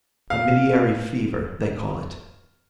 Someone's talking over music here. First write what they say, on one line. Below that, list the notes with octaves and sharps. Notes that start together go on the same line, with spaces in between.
A miliary fever, they call it.
F5